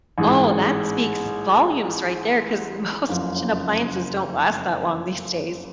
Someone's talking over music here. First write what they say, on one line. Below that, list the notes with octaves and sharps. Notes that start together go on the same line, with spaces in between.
Oh, that speaks volumes right there 'cause most appliances don't last that long these days.
A1 G#2 G#3
F#1 F2 C#3